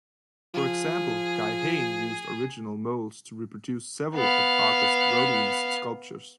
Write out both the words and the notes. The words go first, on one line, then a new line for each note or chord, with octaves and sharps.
For example, Guy Hain used original molds to reproduce several of Auguste Rodin's sculptures.
F3 G#4
B3 F5